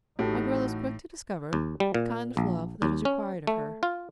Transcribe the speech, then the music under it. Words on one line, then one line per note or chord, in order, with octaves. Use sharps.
A girl is quick to discover the kind of love that is required of her.
A1 A2 D#4 F#4 G4 A4
D#2
G3
A#2
A#1
D#2
C#4
A3
F4